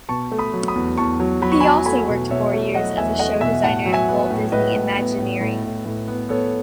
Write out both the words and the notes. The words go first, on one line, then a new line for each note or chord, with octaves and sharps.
He also worked four years as a Show Designer at Walt Disney Imagineering.
B2 A5 C#6
A3
B5 D#6
F#3
B5 D#6
E2
E2 A5 C#6
F#3
F#3 B5
C#6
G#5 B5
F#3
A3 G#5 B5
B2
B2 C#5 E5
A3
F#3 D#5 F#5
E2 E5 G#5
A3 D#5 F#5
B2 E5 G#5
A2 F#5 A5
F#3
E5 G#5
B3
A2
A2 B4 D#5
A2
B3
A2
A2
A2
A2
B3
B3 A4 C#5